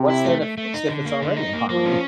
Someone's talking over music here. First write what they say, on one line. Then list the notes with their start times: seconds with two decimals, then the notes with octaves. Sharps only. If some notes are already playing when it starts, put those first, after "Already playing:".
What's there to fix, if it's already in harmony?
Already playing: C3
0.10 E4
0.25 A3
0.41 A3
0.57 A3
0.74 D#4
0.89 D3
1.05 A#3
1.22 D3
1.37 D#4
1.53 A#3
1.69 F3 A#3
1.85 C#4